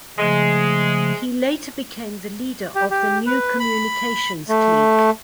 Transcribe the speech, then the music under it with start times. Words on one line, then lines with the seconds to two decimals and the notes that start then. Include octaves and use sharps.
He later became the leader of the New Communications Clique.
0.18 C#3 F3 G#3 A3
2.75 G4
2.91 G4
3.26 B4
3.60 B5
4.49 A3